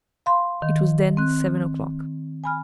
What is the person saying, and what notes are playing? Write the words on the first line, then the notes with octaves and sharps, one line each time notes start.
It was then seven o'clock.
F5 B5 C6
D#3
C4 F#6
G#5 B5 F6